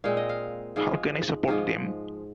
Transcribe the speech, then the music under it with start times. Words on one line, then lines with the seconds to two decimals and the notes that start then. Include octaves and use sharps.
How can I support them?
0.04 A#2 G#3 C4 F5
0.17 D#5
0.29 F5
0.76 G#2 F3 G#3 F5
1.48 G#2 F3 G#3 F5